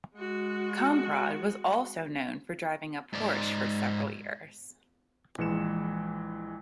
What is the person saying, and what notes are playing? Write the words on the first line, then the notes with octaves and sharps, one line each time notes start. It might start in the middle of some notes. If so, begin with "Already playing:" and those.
Kamprad was also known for driving a Porsche for several years.
G#3 F#4
G#2 D5
A#1 E3 G#3 C#7 E7